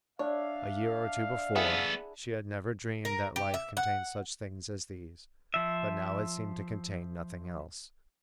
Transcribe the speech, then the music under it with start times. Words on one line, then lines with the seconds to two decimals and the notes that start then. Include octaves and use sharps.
A year or two before, she had never dreamed that life contained such things as these; but now it seemed to contain nothing else.
0.19 D4 C#5 E5 F5
1.56 B3 E4 G#4 A4 F#5
3.05 A#4
3.36 G4
3.54 E5
3.77 F#5
5.54 F3 E5